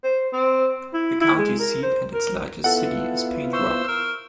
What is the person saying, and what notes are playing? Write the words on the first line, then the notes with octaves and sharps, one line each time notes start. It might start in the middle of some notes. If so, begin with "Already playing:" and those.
The county seat and its largest city is Paint Rock.
C5
C4
E4
E4
G#3
A#4
C5
A#4
B3 E4 F4 A4 F#5
C5 C#6 E6
A#4